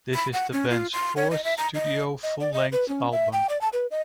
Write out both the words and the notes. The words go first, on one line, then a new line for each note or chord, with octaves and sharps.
This is the band's fourth studio full-length album.
B5
F#5
C#4
F4
C6
C#5
D#5
E5
A#5
D#5
D#5
D5
D#5
B4
C#4
E5
G5
D5
A5
B4
D#5